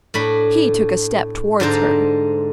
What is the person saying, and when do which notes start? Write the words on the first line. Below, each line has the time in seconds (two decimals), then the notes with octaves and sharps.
He took a step towards her.
0.14 A2 D4 B5
1.60 G#2 D3 D4 C5 A#5